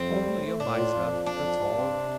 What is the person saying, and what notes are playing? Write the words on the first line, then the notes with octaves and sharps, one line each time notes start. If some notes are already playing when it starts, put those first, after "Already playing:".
Only a miser; that's all.'
Already playing: F2 C4
G3
A2
A3
A2 D4
F4
F2
F3
F2 D4
F3
G2
C4
C3